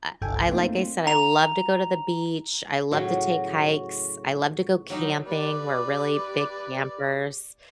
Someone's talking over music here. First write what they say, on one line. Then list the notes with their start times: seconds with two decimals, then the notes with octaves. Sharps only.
I I like I said, I love to go to the beach, I love to take hikes, I love to go camping. We're really big campers,
0.22 G1 C2 G2 A4 G5 G#5
0.48 A3 A#3 C4 D#4 F4
1.07 A#5 F7
2.91 A2 C#3 F#3 F#4
4.90 F#3 G3 D#4
5.27 G4 B4 D5